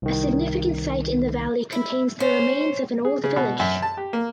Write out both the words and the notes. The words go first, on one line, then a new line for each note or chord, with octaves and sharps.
A significant site in the valley contains the remains of an old village.
C2 D#3
E4
C#4 C5
G#4
C#3
B2
F#2
A5
G4
A#3